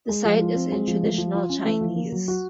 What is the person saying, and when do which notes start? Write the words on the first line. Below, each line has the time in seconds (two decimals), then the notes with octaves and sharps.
The site is in traditional Chinese.
0.09 G#3
0.25 F3
0.41 F4
0.56 C4
0.72 G#3
0.87 F3
1.03 A3
1.18 F3
1.34 F4
1.50 C#4
1.65 A3
1.81 F3
1.96 A#3
2.12 F#3
2.28 F#4